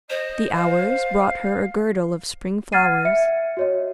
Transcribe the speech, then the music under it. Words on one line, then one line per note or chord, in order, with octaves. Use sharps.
The Hours brought her a girdle of spring flowers.
C5 D#5
F5
F#5 F6 G#6 A6 C7 D#7
E5 C#7
F#4 C#5 D#5